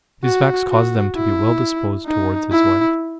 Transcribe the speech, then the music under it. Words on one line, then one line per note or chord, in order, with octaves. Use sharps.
These facts caused them to be well disposed towards his wife.
F#4
F#4
E4
D#4
E4